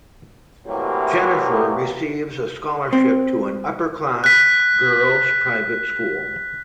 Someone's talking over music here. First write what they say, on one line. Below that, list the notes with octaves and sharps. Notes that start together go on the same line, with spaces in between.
Jennifer receives a scholarship to an upper-class girls private school.
A2 C3 E3 F#3 G3 A#3
C4
F#6 B6